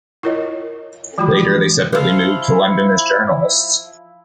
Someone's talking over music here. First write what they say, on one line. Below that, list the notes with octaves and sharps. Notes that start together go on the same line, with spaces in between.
Later they separately moved to London as journalists.
E4 F4 A#4 C#5 D#5
E3 F3 G#3 F4 F#4 B5
F3 E4 F4